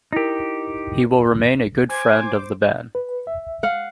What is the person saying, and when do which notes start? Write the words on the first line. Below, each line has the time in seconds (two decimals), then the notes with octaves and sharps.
He will remain a good friend of the ban.
0.13 D#4 E4 G4 A#4
1.89 C5 G#5 D6
2.95 B4
3.27 E5
3.63 F5 F#5